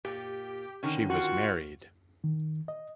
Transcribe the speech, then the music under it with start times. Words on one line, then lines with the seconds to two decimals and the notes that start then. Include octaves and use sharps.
She was married.
0.05 A#2 G4
0.83 D3 D#3 C#4
1.10 F4 F#4
2.24 D#3
2.68 D#5